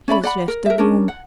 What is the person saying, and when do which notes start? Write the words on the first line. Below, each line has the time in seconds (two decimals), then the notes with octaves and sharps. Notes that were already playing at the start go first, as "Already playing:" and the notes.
He has left the room.
0.08 C#4 D5 E5 B5
0.23 D5 F#5 B5
0.48 A#4
0.66 A#4 E5
0.78 C#4 D4 A#4
1.08 F#5